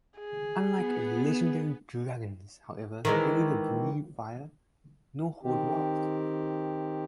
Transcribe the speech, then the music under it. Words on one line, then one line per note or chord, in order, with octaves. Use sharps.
Unlike legendary dragons, however, they neither breathe fire nor hoard wealth.
G#4
B3
D#3 E3 G#3
D#3 C4 G4